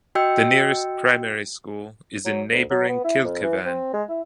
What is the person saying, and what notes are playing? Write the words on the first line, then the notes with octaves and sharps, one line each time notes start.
The nearest primary school is in neighbouring Kilkivan.
F#4 D#5 G5 E6 G6 C#7
F#3
D2
F#3
B3
E4
F2
E3
C4
G#3
E4